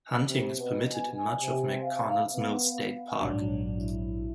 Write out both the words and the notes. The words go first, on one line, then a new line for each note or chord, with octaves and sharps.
Hunting is permitted in much of McConnells Mill State Park.
C3
B2
G#5
C3
F5
B3
A#1 G#2 F#3 D4
E4